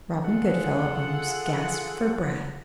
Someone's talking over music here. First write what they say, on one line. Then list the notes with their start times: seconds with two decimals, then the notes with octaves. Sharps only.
Robin Goodfellow almost gasped for breath.
0.23 F4 G#4 A4 F#5